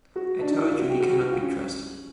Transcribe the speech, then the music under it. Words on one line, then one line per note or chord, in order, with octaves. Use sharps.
I told you he cannot be trusted.
F#4
D4
D#4
E4
F4
F#4
G4
F#4
G4
F#4
F4
C#4